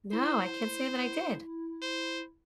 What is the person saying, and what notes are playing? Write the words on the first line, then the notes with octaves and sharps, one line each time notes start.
No, I can't say that I did.
E4 C5
C5